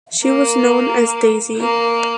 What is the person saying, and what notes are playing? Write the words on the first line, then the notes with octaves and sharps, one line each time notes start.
She was known as Daisy.
A#3
A#3